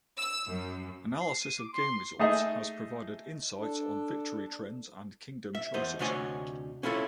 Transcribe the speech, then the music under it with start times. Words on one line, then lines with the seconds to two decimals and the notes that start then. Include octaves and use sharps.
Analysis of game results has provided insights on victory trends and kingdom choices.
0.17 E6
0.47 F#2
1.21 C7
1.42 D#7
1.59 D6
1.73 C6
2.19 A3 D#4 G#4 D#5
3.60 D4 A4
5.55 E5
5.74 E2 C5 D#5
5.99 D2 C3 D4 C#5 D#5 G#5
6.83 C#4 E4 F4 A4 C#5